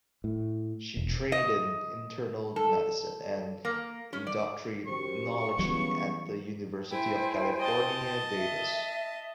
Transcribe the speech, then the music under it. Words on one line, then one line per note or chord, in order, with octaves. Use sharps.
She trained in internal medicine and endocrinology at the University of California Davis.
A2
E1
D#5
A4
A#3
C#4
D5
F#2 G4 C5 C#6
C#3 E3 F#3 G3 B3
E4 C5 G5 G#5
D#5 A5
E5